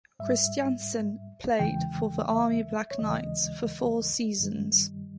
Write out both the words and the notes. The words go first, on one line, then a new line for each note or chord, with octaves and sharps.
Christiansen played for the Army Black Knights for four seasons.
G#2 G3 E5
E2 C#3 E3 G#3 G5
E5
C#5
D#2 C#3 E3 G#3 D#5
G2 D#3 G3